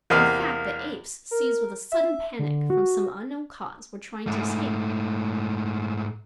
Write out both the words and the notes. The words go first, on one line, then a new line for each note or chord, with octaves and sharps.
In fact, the apes, seized with a sudden panic, from some unknown cause, were trying to escape.
E2 C3 A#3 D#5 F5 B5
A#4
E5
D3
F#4
G#2 A3